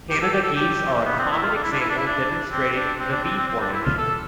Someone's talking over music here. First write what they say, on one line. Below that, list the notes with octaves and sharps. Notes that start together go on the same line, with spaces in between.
Canada geese are a common example demonstrating the V formation.
G4
A4
G4
A4
G4
B3
C4
E4
F4
D4
E4
D4
E4
D4
E4
D4
C4
D4
C4
D4
C4
C4
C4
D4
E4
F4
A4